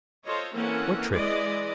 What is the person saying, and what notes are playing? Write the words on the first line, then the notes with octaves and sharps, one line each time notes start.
"What trick?"
F4 A4 C5 C#5 D#5
E3 A#3 C4 C#4 A4 F#5
E3 G#3 D5 D#5